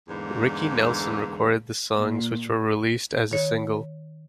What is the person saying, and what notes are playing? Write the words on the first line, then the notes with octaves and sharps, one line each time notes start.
Ricky Nelson recorded the songs which were released as a single.
E2 G#2 D3 E3 A#3
A#2
D#3 C#5